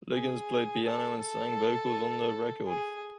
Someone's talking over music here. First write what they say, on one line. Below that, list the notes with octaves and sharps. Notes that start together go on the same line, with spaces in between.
Liggins played piano and sang vocals on the record.
G#4
A4
A4
G#4